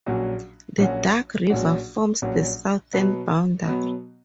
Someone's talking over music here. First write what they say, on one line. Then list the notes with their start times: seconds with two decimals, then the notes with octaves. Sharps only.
The Duck River forms the southern boundary.
0.06 A#1 A#2 F#3 C#4 F#4
0.78 A#1 A#2 F#3 C#4 F#4
1.50 A#1 A#2 F#3 C#4 F#4
2.22 A#1 A#2 F#3 C#4 F#4
2.93 B2 F#3 B3
3.65 B2 F#3 B3